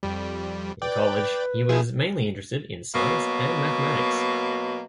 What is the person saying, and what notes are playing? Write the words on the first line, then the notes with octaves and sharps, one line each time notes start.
In college, he was mainly interested in science and mathematics.
F2 G3
B4 D5 G5
F3 E4 G#4
B2 F#3 A#3